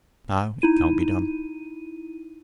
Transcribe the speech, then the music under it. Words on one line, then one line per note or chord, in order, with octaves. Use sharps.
Now, it can't be done.
D#4 E4 D#7